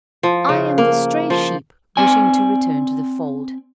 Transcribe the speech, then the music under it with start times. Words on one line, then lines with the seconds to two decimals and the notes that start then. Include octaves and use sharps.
I am the stray sheep wishing to return to the fold.
0.23 F3
0.49 C#3
0.78 A#3
1.30 F3
1.97 C4 D5 G#5